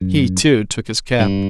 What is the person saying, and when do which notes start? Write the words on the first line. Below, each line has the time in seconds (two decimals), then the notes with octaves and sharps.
He, too, took his cap.
0.01 F#2
1.19 G2